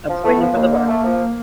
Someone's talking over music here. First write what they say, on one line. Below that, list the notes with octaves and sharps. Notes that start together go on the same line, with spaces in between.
I was waiting for the "but."
F3
A3 B3
F3
D#2 A#3
D3
A3
F3